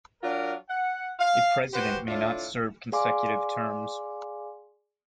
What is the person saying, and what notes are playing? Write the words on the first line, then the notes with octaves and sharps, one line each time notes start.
A president may not serve consecutive terms.
F#3 D4 F4 A#4
F#5
F5
F#4 G4 B4 C5
A2 D4 F4
G#4 D5 F5 G#5 C6 D6